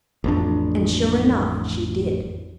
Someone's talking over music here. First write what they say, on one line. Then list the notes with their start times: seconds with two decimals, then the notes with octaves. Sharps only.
And sure enough, she did.
0.24 A1 F2 D4